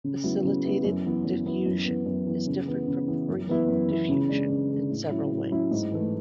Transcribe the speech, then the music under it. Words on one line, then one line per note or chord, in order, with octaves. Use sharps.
Facilitated diffusion is different from free diffusion in several ways.
C#3
F#3 B3 E4
C#3
F#3 B3 E4
F#2
E3 B3 E4
F#2
E3 B3 E4
F#2
E3 B3
F#2
E3 B3
C#3
E3 B3
C#3
E3 B3
F#2
E3 B3 E4
F#2
E3 B3 E4
C#3
G#3 D4
C#3
G#3 D4
A2
F#3 C#4 E4
A2
F#3 C#4 E4
G#2
E3 A3